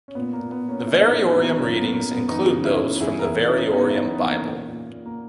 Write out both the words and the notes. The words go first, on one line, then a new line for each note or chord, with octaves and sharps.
The variorum readings include those from the "Variorum Bible".
C#4
A#2 B3
A#3
A#2
B3
A#2
A#3 C#4
A#2 C#4 E4
B3 D#4
A#2
D#4 F#4
A#2 E4
B3 D#4
F#2 A#3 C#4
A#3
B3
F#2
A#3
F#2
B3
E3 B3 D#4
C#3
C#4 E4
C#3
E2 E4 G#4
A#4
E2 E4 G#4
C#3 C#4 E4
E2 B3 D#4
C#4 E4
E2
B3 D#4
E2
A#3 C#4
A#2
A#2
A#2
A#3